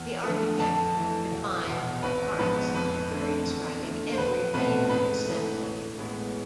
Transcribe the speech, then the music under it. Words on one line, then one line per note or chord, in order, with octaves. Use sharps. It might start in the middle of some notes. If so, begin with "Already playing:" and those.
The architect defines a parts library describing every major assembly in the building.
Already playing: E2
D3 F3 A3
F2 A5
E3 A3
E1
E2 B2
G#1 B4
G#2 F3 B3 B4
F2 B4
D3 A3 C4
E2
D3 A3
C5
E1 B4
E2 B2 A3 C4 B4
G#2 B4
E3 A3
A1
A2 G#3 B3